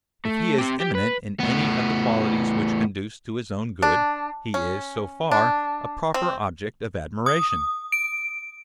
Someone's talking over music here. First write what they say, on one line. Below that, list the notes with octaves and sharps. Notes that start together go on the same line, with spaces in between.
If he is eminent in any of the qualities which conduce to his own good, he is, so far, a proper object of admiration.
A3
C4 G4
G4
B4
A2 B3
D4
C#4
D4
C4
D#6
D7